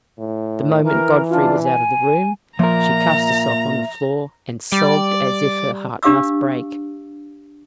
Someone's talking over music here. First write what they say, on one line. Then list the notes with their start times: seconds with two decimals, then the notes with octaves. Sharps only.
The moment Godfrey was out of the room she cast herself on the floor, and sobbed as if her heart must break.
0.18 A2
0.84 E3 A#4 A#5
1.29 D4 F4
1.62 G#5
2.59 A#2 F3 A#4 E5 A#5
4.72 G3 D5
6.03 D4 G4 F5 D6 E6